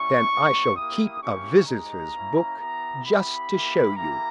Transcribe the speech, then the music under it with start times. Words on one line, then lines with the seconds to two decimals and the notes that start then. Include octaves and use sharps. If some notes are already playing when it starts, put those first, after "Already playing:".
"Then I shall keep a visitors' book just to show you."
Already playing: G3 C#4 E4 C#6
0.30 G3 B3 D#4
0.76 A#3 E4 G4 D#6
1.21 A#3 C#4 E4 G4 C#6
1.67 G#3 D#4 G4 A#5
2.13 A#3 C#4 E4
2.58 B3 E4 G4 A#5
3.04 B3 E4 G4 B5
3.50 A#3 E4 G4
3.96 A#3 E4 G4 A#5